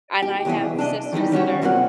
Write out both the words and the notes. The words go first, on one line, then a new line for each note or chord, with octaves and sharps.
and I have sisters that are
G4
C2 B2 E3 G#4 E5
D4 D5 D#5
D#3 E3 G3 D#4
G3 C#4 F#4 C#5
C2 F#2 A#3 C4 F4 F#5